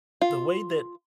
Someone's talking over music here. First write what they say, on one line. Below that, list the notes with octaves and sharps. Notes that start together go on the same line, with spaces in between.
the way that
F4